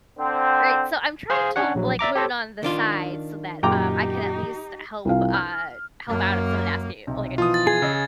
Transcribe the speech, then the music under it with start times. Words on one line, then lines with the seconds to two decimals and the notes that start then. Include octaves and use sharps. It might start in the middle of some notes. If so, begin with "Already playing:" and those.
Right, so I'm trying to, like, learn on the side, so, that, um, I can at least help, uh, help out if someone asks me, like, a
0.18 D3 C4
1.30 G#4 C5 F5
1.56 C#4 D4 C#5 F#5
1.75 A#1 F#3
1.99 D5 E5 A#5 D6
2.15 G4 A4 C5 C#5
2.63 D#3 D4 F4
3.63 F#2 A#2 D#4 G4 A#4 G5 A#5 D6
5.05 C2 F4 F5
5.34 F6
6.07 F#2 A#3
7.07 B1 C3
7.38 B2 E3 F3 F4 D#6
7.54 A6
7.67 G#4 G#6
7.82 C#3 D#5 G#5 E6